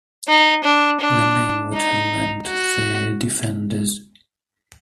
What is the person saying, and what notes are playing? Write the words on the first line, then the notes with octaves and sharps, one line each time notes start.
The name would have meant the "defenders".
D#4
D4
D4
D#4
F#4